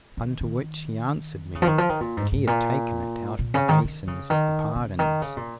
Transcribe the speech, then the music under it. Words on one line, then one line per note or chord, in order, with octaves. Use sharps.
Unto which he answered me that he had taken it out of the basins of the pardons.
D#3
D#3
C#3
F3
D#3
F3
D#3
A#2
G#2
G#2
A#2
A#2
C#3
D#3
D#3
C#3
D#3
C#3
D#3
C#3
A#2